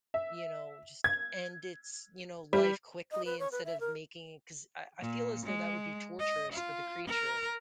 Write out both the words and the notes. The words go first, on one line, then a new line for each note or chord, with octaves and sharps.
you know, just end its, you know, life quickly instead of making it 'cause I I feel as though that would be torturous for the creature,
E5
G#6
G3
D#5
B4
C#5
B4
E5
A#4
A#2
G#3
D#5
F4
A#4